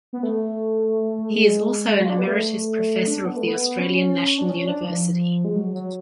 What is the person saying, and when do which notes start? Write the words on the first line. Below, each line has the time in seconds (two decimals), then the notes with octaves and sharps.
He is also an Emeritus Professor of the Australian National University.
0.13 B3
0.23 A3
1.30 G#3
2.01 F#4
2.05 F4
2.10 D4
2.19 B3
2.27 A3
3.07 D4
3.25 B3
3.36 A3
3.48 B3
3.79 C#4
4.38 D4
4.50 C#4
4.67 D4
4.85 F3
5.44 G#3
5.56 F#3
5.74 F#3